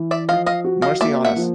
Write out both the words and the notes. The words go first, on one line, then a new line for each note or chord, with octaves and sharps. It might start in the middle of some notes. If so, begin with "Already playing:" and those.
Mercy on us!
Already playing: E3
D5 E5
F3 D#5 F5
D#5 F5
F#4
D#5 F5
A#3 D5 E5
E5 F#5
F3